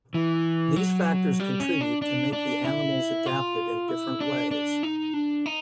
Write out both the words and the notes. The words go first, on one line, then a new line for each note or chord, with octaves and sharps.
These factors contribute to make the animals adapted in different ways.
E3
F#3
G3
C#4
D4
D4
D4
E4
F4
E4
D4
D4
D#4
D4
D#4